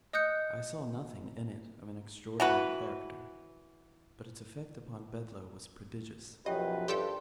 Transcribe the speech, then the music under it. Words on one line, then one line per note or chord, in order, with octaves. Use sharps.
I saw nothing in it of an extraordinary character, but its effect upon Bedloe was prodigious.
D#5 D#6 F#6 G6 C#7
E3 F#4 B4
B1 F#2 F3 G4 B4 D#5 G5
A#1 G2 G4 A4 G5 C6